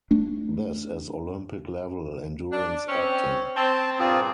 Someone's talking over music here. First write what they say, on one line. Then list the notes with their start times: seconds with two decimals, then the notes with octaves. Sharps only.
This is Olympic-level, endurance acting.
0.11 A3 D4
2.52 D4
2.89 C4 C#4
3.57 C4 A5
3.99 G2 A#2 C4 F4 G#4